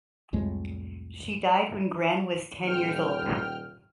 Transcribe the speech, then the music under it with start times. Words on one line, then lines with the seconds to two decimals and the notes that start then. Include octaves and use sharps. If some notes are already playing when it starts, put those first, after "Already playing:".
She died when Gran was ten years old.
0.33 C2 F2 A2 G#3
2.64 D#1 G5 F6